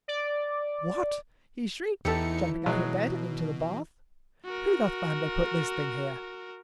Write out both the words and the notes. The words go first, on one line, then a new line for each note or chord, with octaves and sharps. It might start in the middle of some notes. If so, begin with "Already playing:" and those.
"What!" he shrieked, jumping out of bed into the bath; "Who the thunder put this thing here?"
D5
E2 E3 D#4 G4 A4 C#7
B2 F#3 G#3
F#4 A#4